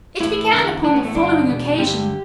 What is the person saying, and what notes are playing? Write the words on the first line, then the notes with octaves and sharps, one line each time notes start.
It began upon the following occasion.
A2 E3 E4
E2 D3
A2 E3 D4
B3
A3
G2 D3 D4
E2 B2
G2 D3 G4